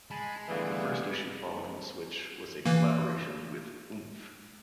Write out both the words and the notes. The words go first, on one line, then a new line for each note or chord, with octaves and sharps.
The first issue following the switch was a collaboration with Oomph!
G#3 G#5 A5 B5
D3 E3 G3 A3 B3 G#4 F5
E3 A#3